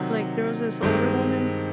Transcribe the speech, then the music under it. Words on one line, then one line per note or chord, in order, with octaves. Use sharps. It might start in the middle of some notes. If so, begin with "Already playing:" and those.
like, there was this older woman,
Already playing: C3 D#3 F#3
G2 D#3 G#3 C4